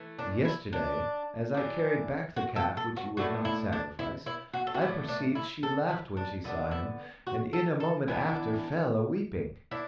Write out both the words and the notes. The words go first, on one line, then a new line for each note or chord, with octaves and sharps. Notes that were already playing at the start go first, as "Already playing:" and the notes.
Yesterday, as I carried back the calf which you would not sacrifice, I perceived she laughed when she saw him, and in a moment after fell a weeping.
Already playing: E3 A3
D4
E4
D4
E3 D4
F#4
A4
A4
F#4
A2 A3 D4 F#4
E4
D4
E4
E4
F#4
A4
F#4
A2 A3 D4 E4
D4
E4
A4
E4
D4
D3 B3 D4 E4
E4
F#4
A4
A4
E3 B3 D4 E4
D4 E4